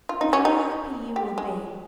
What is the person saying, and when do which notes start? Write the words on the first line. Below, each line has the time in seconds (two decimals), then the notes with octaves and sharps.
And how happy you will be!
0.09 F4
0.21 D#4
0.33 C#4
0.45 D#4
1.16 G4
1.38 G#3